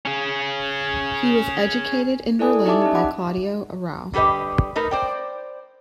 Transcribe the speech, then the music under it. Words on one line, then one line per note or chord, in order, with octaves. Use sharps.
He was educated in Berlin by Claudio Arrau.
C#4 G#4
E4 A4 D5 G#5 D#6
D#4 G4 D5 E5 A5 D6
C#4 D#4
F#5 B5 D6
D3 G3 G4 B4 D#5
A3 D#4 A#4 B4
C5 D5 G5